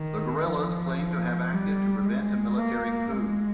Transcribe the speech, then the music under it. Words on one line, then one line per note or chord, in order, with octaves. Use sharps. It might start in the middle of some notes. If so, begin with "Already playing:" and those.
The guerrillas claimed to have acted to prevent a military coup.
Already playing: D#3
F3
G3
G#3
A#3
G#3